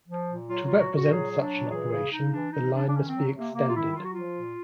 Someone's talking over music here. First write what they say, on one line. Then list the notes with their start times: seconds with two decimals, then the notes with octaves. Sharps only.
To represent such an operation, the line must be extended.
0.08 F3
0.29 A#2
0.49 F#3 F4
0.65 A#2 F4
0.79 F#4
0.90 A#2
0.95 F#4
1.10 F#3 G#4
1.30 F#3
1.41 D4
1.51 A#2
1.71 E3 G#4
1.92 C#3 G#4
2.12 C#3 D#4
2.32 E3 D4
2.52 E3 D#4
2.73 C#3 D4
2.89 D4
2.93 D#3 C#4
3.09 C4
3.14 F#3
3.34 C3
3.39 A#3
3.54 C3 A#3
3.69 F4
3.75 D#3 E4
3.95 F#3 F4
4.05 F#4
4.13 F3 F4
4.36 A#2